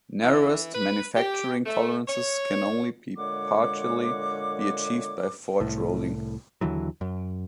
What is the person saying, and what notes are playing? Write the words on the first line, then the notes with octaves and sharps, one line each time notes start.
Narrowest manufacturing tolerances can only partially be achieved by forge rolling.
E3
B4
G4
A3
C#5
A#2 D3 G#3 C#5 F#5 D6
C2 A2
D#2 D3 E3 F#3
F#2